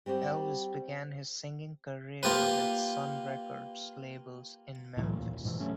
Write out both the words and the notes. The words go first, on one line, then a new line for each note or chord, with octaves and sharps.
Elvis began his singing career with Sun Records label in Memphis.
G3 C4 F#4 G4
A#3 F4 G4 B4
C#2 A2 E3 F#3
D#2 A#2
D#1 G#1
G#2 B2 D#3 E3
C3 F#3 A3 C#4